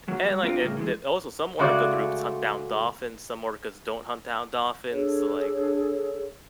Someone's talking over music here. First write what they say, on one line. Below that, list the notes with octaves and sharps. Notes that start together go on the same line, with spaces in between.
and, like, eh, d also some orca groups hunt down dolphins, some orcas don't hunt down dolphins, so, like
F#3 A#3
G3
A#3 C4 D4 F4 A#4
A2 C#3 G3 A#3
E3 F3 G#3
C#3 G#3 A3 F#4 D5
D4 G#4 A4 C#5